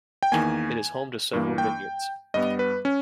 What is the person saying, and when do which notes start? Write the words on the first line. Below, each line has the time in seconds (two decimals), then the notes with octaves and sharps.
It is home to several vineyards.
0.23 G5
0.32 E2 D#3 A#3 G#5
1.33 G2 E3 A#3
1.58 G5
2.34 G2 G3 B3 D#5
2.59 B4
2.85 C#4